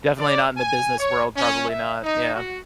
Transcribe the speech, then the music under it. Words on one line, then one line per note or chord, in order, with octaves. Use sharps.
Definitely not in the business world, probably not, yeah.
D5
G#5
C#5
C#4
E5
D#4
F#4